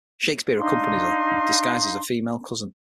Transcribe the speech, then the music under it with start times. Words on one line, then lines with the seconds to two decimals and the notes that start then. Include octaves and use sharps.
Shakespeare accompanies her, disguised as her female cousin.
0.57 D4 D#4 F5 C6